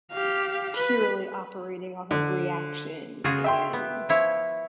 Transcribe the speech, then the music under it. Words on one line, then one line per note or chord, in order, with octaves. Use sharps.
purely operating off of reaction and
G4 F5
B4
D3
C#3 F4 F#4 G#4
E5 G5 C6
B3
F3 E4 C#5